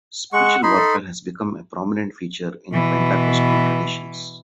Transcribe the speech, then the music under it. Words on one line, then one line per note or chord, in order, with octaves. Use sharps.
Spiritual warfare has become a prominent feature in Pentecostal traditions.
G#3 F#5 C#6
D#4 E4 B5 C6
A4
B2 E3